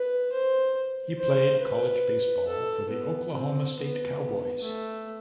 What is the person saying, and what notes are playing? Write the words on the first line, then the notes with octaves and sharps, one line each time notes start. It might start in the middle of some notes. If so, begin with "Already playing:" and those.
He played college baseball for the Oklahoma State Cowboys.
Already playing: B4
C5
C5
B4
A4
B3
C4
B3
B3
A3